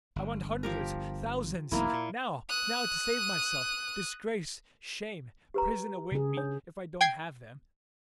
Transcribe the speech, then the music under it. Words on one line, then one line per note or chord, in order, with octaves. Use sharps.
I want hundreds--thousands--now, now, to save myself! Disgrace, shame, prison await me if I don't have them.
G1
F3 G4 A#4
E1 B1 F2 A#3 E4
A#2
D#6 F#6
G4 B4 A#5
C#3 G#4
D4 C#5
G5 G#6 C7